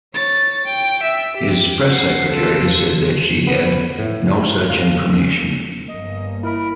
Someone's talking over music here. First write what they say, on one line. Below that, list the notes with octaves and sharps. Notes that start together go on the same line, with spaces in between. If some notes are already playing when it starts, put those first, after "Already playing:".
His press secretary said that she had "no such information".
C#5 A6
G5
E5
G4
F#5 C7
F4 A4
B3
A2
F5
G1 A#3 D#5
E4 A#4 B5